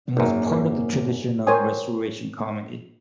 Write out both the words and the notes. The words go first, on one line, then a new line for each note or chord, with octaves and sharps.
It was part of the tradition of Restoration comedy.
G#1 F#2 A#3
A#4 C5 C#5 G5 G#5 D#6